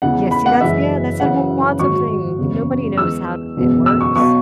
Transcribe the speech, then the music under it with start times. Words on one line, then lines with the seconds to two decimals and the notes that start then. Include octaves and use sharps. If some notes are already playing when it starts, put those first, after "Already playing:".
Yes, see, that's Yeah, that's what a quantum thing we nobody knows how it works.
0.02 E2 C#3 E3 G#3 F#5
0.31 B5
0.46 F#5
0.61 F#1 F#2 E3 G#3 E5
1.20 F#1 F#2 C#3 E3 F#5
1.79 G#1 G#2 F#3 C#6
2.38 F#1 E2 C#3 G#3
2.97 E2 E3 G#3 E6
3.56 F#1 E2 B2 G#3
3.86 E6
4.01 C#6
4.15 B1 B2 F#3 C#6